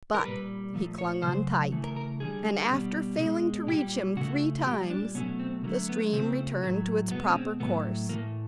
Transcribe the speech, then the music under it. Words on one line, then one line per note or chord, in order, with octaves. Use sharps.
But he clung on tight, and after failing to reach him three times the stream returned to its proper course.
A#4
A#2 G3 B4
A#2 F3 A3
C#5
C#3 F#3 A3 C5
C#3 E3 A3
A#4
A#4
D3 G3 G#4
B2 G3
B2 G#3
A#2 G3 G4
C#3 F3 A3 F#4
A#2 G3 G4
D4
B2 F#3 A3 C#4
C4
D3 F#3 A3 A#3
B3
C#3 F3 A3 C4
A2 F#3 A3
B2 G#3 B3
C#4
C4
A2 F#3 A3 B3
A2 E3 A3 A#3